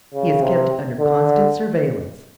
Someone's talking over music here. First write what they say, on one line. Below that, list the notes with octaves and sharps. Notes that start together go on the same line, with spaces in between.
He is kept under constant surveillance.
C#3
C3
D3